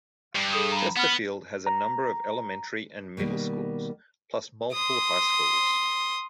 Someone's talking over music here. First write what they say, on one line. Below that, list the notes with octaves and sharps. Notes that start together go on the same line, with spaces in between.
Chesterfield has a number of elementrary and middle schools, plus multiple high schools.
G2
G#4 A4 D#6
A#5 B5
B3 F#5 B5 F6
A#5
B2 D#3 G3 A#3
C6 D#6